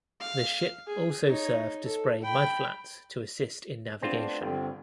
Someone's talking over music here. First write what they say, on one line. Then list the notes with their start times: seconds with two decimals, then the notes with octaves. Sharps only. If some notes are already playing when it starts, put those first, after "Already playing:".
The ship also served to spray mudflats to assist in navigation.
0.20 F5
0.87 G#4
1.26 D#4 C#5
1.84 A4
2.22 G5 B5
4.02 A3 B3 C4 D4 F4
4.42 G1 D3 C4